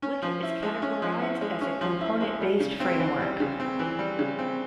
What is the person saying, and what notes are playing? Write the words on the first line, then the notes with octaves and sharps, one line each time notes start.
Wicket is categorized as a component-based framework.
C#4
F3
E4
G#3
C#4
F3
E4
G#3
C#4
F3
E4
G#3
G3
C#3
C4
E3
G3
C#3
C4
E3
G3
C#3
C4